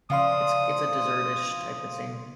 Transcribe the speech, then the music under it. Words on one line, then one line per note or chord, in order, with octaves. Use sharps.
It's it's a dessert-ish type of thing.
C#3 F3 D4 F5 C6 D#6